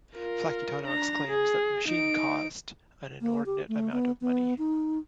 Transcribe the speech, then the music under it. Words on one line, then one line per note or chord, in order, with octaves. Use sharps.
Flacutono exclaims that the machine "cost an inordinate amount of money".
F4 A#4
D4 A#5
G#4
D#4 D7
A#3
G4
A3
B3
B3
D#4